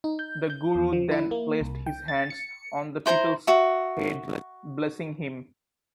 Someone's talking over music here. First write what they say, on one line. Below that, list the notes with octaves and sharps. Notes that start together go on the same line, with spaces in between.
The guru then places his hands on the pupil's head, blessing him.
D#4
G6
G6
E2
F3
E4
A#3
C2
G5
A6
C#7
E4 C5 G#5 A#5
F#4 E5